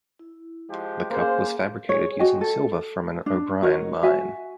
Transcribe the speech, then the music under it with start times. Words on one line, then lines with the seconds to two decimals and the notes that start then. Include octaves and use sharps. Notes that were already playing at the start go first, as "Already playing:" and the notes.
The Cup was fabricated using silver from an O'Brien mine.
0.19 E4
0.69 F3 G#3 G4
1.10 A#3 C#4 G#4 A#4 C5
1.89 G#4 C#5
2.19 F#4 D#5 G5 G#5
2.41 A4
3.26 D4
3.62 F#4 A#4 C#5 D#5
4.03 F#4 E5 G#5